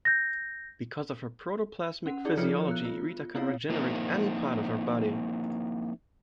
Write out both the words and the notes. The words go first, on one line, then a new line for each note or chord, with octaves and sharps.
Because of her protoplasmic physiology, Rita can regenerate any part of her body.
G6 A#6
C#4 F#5
D#4 E4 G#4 D5
F3 F4 A4 C#5 F6 C#7
B3 F#6
F4
B3 C4 E4 F4 C#5 F5
F3 A#3 C4 D#4 E4